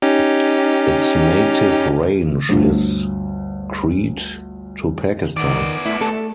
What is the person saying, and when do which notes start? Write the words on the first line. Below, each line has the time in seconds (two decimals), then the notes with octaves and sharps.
Its native range is Crete to Pakistan.
0.02 C#4 D#4 G4
2.49 G1 D2 A3 D4 F4
5.37 D#3 B3 D5
5.86 A3 E4
6.01 A3 A4